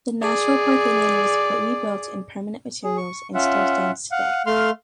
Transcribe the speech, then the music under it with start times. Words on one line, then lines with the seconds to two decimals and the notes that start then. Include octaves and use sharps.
The Nashville Parthenon was rebuilt in permanent materials, and still stands today.
0.21 G#4 D5
2.84 G#4
2.97 C#6
3.34 C#4 F4 E5 F#5
4.11 F5 F#5
4.46 A3 F5 C6 F6